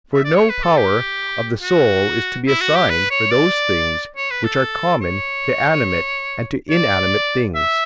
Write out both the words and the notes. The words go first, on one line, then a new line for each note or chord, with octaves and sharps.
For no power of the soul is to be assigned for those things which are common to animate and to inanimate things.
E5
D5
C#5
B4
A4
G4
F#4
E4
F#4
G4
B4
C#5
D5
C#5
B4
A4
C#5
D5
E5